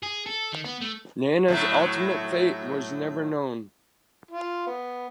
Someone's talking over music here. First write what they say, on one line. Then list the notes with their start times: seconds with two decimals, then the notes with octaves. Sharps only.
Nana's ultimate fate was never known.
0.03 G#4
0.26 A4
0.53 D#3
0.65 B3
0.81 A3
1.48 A2 F#3 A3
4.31 F4
4.67 B3